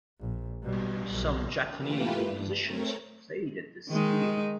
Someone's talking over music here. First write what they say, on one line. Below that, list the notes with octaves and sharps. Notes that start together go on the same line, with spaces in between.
Some Japanese musicians have played at this stadium.
A#1
B2 G3
B1
E3 A3 A#3 F4 G4 B4
G2
A3 C4 A#4 C#5
D#3 G#3 D#4